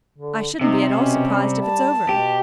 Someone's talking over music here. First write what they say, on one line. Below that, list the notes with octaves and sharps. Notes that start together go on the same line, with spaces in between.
"I shouldn't be at all surprised if it's over."
D3
C3 D#4
B2 C#4
G3
A5
B2 G4